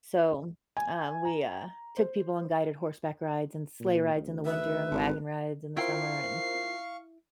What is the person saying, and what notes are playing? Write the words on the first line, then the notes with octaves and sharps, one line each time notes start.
so, uh, we, uh, took people on guided horseback rides, and sleigh rides in the winter, and wagon rides in the summer, and
G#5
A#5
C5
A#2
D2
B4 E5
G#1
E4 F4 A#4 C5 F5 G5 C#6 C7